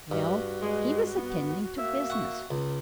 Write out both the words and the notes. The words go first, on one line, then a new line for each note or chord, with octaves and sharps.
Well, he was attending to business.
G2 F#4
G#3
B3
A#3 E5
F#5 C#6
C#2